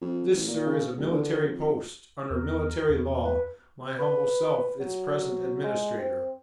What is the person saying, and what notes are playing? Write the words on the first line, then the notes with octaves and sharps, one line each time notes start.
This, sir, is a military post--under military law--my humble self its present administrator.
F2
A1
A#2
C#3
D1
D3
F2
E2 A#4
E2
B4
B4
F#3
G#3
C4